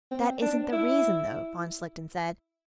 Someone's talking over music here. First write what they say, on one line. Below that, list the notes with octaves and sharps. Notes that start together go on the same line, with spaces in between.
"That isn't the reason, though," von Schlichten said.
C4
D4
E4